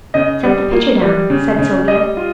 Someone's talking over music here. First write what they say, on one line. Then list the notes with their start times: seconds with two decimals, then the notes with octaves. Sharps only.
"Set the pitcher down," said Sylvia.
0.14 C#3 D#5
0.43 G3
0.71 A#3
1.02 G3
1.30 C#3
1.58 C#3
1.87 G3 D#5
2.17 F4